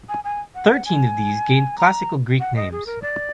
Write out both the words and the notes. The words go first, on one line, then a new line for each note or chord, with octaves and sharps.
Thirteen of these gained classical Greek names.
G#5
G#5
F#5
G#5
A#5
F#5
D#5
G#4
A#4
D5